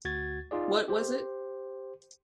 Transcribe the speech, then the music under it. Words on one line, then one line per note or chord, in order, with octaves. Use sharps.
What was it?
D2 F#4 G#6 A6
D#4 F4 G#4 D5
G4 C5